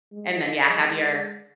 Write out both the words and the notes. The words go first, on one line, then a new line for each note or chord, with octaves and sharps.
and then, yeah, have your
G#3